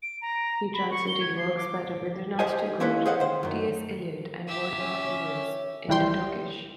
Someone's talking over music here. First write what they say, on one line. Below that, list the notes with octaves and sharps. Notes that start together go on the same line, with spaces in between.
He translated works by Rabindranath Tagore, T. S. Eliot, and Bernard Lewis into Turkish.
D7
A#5
B5
C#6
G7
G#6
C7
D6
G4 C5 D#5 G#5
A#3 C4 C#4 E4 A4 B4
G#4 C5 D#5 F5 F#5
D#3 C5
F#2 D#3
G4 E5
C#4
G#1 A2 E3 G3 G5 C6